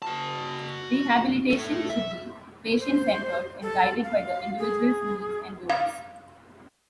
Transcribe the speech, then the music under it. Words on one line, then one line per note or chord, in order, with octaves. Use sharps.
Rehabilitation should be patient-centered and guided by the individual's needs and goals.
F#4 A5
A2 A4
E5
C5
A4
F5
G#4
F5